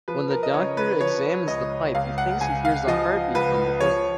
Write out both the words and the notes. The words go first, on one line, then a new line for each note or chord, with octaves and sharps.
When the Doctor examines the pipe, he thinks he hears a heartbeat from within.
F3 B4
A#4
D#5
C#3 C#5
B4
F3 C#5
C#2 D#5
C#2 F5
F#5
C#2 G#5
F5
F3 D#5
C#2 B4
F3 C#5